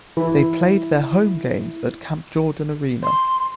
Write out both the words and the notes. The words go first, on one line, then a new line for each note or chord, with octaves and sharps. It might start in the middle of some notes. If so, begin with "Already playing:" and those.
They played their home games at Camp Jordan Arena.
E3 E4
C6